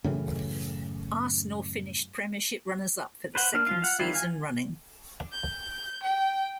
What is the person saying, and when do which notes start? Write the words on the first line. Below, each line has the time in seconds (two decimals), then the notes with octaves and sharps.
Arsenal finished Premiership runners-up for the second season running.
0.04 F#2 A2 C#3 E3
3.35 B4 C5 F#5
3.53 A#3 D4 F6
3.67 F3 F4 F5
3.82 F5 F#5
3.99 D#3 G3 C4 E4 F4
4.14 F5 G#5
5.32 G6
6.03 G5